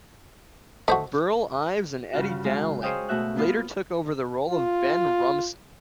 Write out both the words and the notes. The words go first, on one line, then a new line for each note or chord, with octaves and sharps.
Burl Ives and Eddie Dowling later took over the role of Ben Rumson.
A3 F#4 C5 D#5
G2 C#3 F4 F#4
F#3 G#3 F5
G#4 C5 C#5 D#5 F5 G5
B2 A3 F#4 E5 F#6
A#3 B3 F4
F4